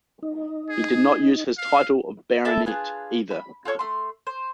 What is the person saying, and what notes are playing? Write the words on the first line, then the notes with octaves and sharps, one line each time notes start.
He did not use his title of baronet either.
D#4
G#4
F5
E4 A4 E5 A5
D4 F4 G#4 B4
B5
F4 A4 C#5 C#6
A3 C6
C5